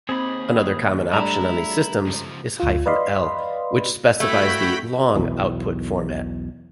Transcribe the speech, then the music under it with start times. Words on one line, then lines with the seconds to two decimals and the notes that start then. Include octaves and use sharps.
Another common option on these systems is -l, which specifies the "long" output format.
0.09 D#2 C4 G#4 B5
1.13 G3 A3 D4 E4 A5 A#5
2.06 C#2 F3
2.60 D2 F4
2.86 B4 D5 D#5 F5 B5 C6
4.20 A3 E4 F#4 G5 B5
5.16 B1 E2 B2 E3